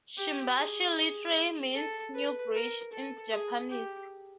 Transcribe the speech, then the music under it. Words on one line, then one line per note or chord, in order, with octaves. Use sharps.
Shimbashi literally means "Newbridge" in Japanese.
G4
G#4
A4
B4
A#4
A4
G#4
G4